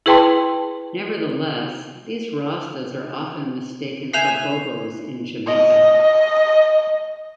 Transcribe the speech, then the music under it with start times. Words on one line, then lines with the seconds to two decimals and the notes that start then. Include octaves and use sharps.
Nevertheless, these Rastas are often mistaken for Bobos in Jamaica.
0.06 E4 G#4 B4 G5 A5 C6
4.13 B4 E5 G#5 G6 C7 F7
5.46 D#5
6.02 D#5